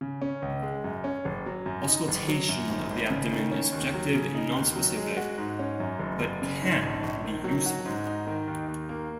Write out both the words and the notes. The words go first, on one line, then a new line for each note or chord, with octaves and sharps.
Auscultation of the abdomen is subjective and non-specific, but can be useful.
C#3
C#4
C#2
G#3
F#2
C#4
F#1
F#3
F#2
D#4
F#1
F#3
F#2
G#1
G#1
C#3
D#3
C#4
D#2
F#3
C#3
D#4
D#2
F#3
G#3
F#4
G#2
C#4
F#2
F#1
F#1
C#3
G#2
A#1
A#1
D#3
F#3
F#4
G#2
D#4
D#3
D#2
D#2
A#3